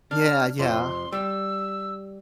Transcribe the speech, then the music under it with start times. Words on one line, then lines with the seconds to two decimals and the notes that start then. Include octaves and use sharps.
Yeah, yeah.
0.11 D4 F6
0.59 F2 C3 F3 C6
1.12 G3 E6